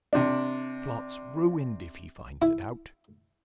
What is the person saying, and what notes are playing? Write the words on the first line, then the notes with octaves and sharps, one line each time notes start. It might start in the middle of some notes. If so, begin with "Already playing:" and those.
Plot's ruined if he finds it out!
C3 D4
E4